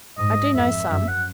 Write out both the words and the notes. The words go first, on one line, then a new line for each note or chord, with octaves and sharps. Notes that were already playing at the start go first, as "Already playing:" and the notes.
"I do know some."
G#2 D#5
F2 E5
F#2 E5
F#5